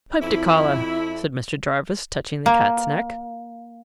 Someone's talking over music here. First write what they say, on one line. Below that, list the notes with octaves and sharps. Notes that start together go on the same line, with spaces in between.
"Pipe de collar," said Mr. Jarvis, touching the cat's neck.
F2 E4
A#3